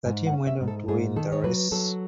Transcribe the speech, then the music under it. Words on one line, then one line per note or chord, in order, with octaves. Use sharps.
The team went on to win the race.
G#2 G#5
F#5
C#4
E5
G#2
A4
G#2 G#4
D#3 A4
C#5
F#3 B4
F#3 A4